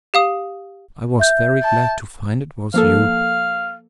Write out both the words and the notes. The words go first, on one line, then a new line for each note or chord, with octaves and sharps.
I was very glad to find it was you.
G4 F5 D#6
E5 G6
A5
F3 A#3 A4 F5